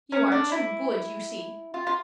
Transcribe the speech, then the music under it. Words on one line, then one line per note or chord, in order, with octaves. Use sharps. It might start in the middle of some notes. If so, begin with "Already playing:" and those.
You are too good, you see!
C#4
D4
E4
F4
F4